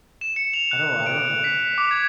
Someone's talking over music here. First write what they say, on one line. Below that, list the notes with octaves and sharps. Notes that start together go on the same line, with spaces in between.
I don't I run
E7
C#7
F7
F#6
D7
B6
D6
G#6